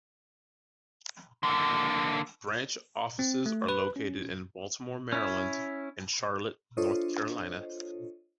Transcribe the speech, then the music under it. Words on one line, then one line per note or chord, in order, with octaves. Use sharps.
Branch offices are located in Baltimore, Maryland and Charlotte, North Carolina.
D3 A#3
C4
A3
B4
C#4
C#4 E4
D4 F4 A4 C5 C#5 D#5